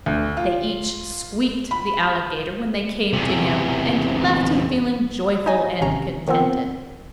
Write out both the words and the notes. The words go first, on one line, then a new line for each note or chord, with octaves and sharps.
They each squeaked the Alligator when they came to him, and left him feeling joyful and contented.
D2
F4
B5
E2 C3
D#4 D#5 G#5
G#1 C3 C#4 A#5
D#3 F3 B3 C4